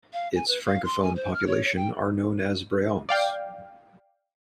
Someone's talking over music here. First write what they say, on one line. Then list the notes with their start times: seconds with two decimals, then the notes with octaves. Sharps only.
Its Francophone population are known as Brayons.
0.13 F5
0.35 G#5
0.48 B4
0.66 F5
0.85 C6
1.02 G#5
1.16 C5
1.34 F6
1.47 C#5
1.65 C#5
1.76 G5
3.09 D5 F5 G5